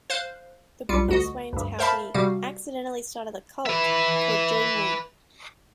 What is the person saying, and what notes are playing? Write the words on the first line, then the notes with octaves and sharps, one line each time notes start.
The book explains how he "accidentally started a 'cult'" called Join Me.
C5 F5 F#6
B1 G3 F4 C#7
D2 F#4 D#5
D2 G2
A#4 C5 E5 F5 A5 B5
C3 G3 F#4 F5
B4 E5